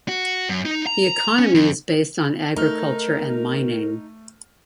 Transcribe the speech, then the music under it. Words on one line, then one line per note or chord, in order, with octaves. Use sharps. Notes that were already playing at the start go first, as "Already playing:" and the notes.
The economy is based on agriculture and mining.
F#4
F#2
D#4
A#5
C#4
F2
A3 D#4 A#4 F6